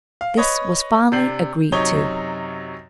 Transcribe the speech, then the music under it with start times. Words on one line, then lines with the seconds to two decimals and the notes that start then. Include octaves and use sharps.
This was finally agreed to.
0.21 F5
0.37 B4 C#5 D#5
1.12 C3 D4 G6 C7 F#7
1.72 F#2 C3 D#4 C#5 G7